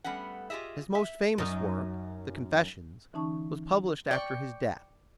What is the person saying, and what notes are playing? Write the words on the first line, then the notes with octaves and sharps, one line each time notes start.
His most famous work, the "Confessions," was published after his death.
G3 A3 B3 C#4 F#5
F4 G4 G#4 D#5 E5
E5
F#2 D#4
D3 E3 C#4 D#4 A5 C#6
D5 G5 C#6